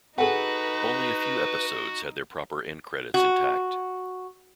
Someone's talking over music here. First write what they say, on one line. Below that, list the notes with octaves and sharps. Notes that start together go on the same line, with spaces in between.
Only a few episodes had their proper end credits intact.
D#4 F#4 G#4 A4 B4 F#5
F#4